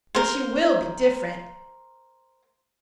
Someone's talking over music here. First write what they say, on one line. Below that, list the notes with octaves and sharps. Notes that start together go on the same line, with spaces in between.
But she will be different.
A#4 C5